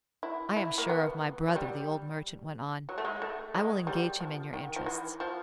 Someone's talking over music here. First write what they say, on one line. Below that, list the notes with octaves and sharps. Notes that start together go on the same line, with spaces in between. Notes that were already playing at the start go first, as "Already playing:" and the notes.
"I am sure of my brother," the old merchant went on; "I will engage him in your interests."
E4
E4
A#3
B3
F#3
G3
F#3
A3
G#3
A3
G#3
G3
F3
D#3
F3
E3
F3